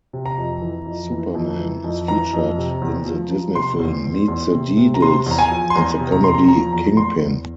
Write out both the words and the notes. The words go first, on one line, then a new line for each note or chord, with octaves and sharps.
"Superman" is featured in the Disney film "Meet the Deedles" and the comedy "Kingpin".
C3
A#5
F2
E3
F2
E3
F2
E3
F2
E3 A#5
F2
C3
E2
F3
F3
C3 C6
E2
E2
E2
C3
C3
A#5
C3 C6
E2 A#5
G#5
F3
C6
E2 A#5
C3
A#5
E2 C6
A#5
F3 A#5
E2 A#5
E2 C6
E2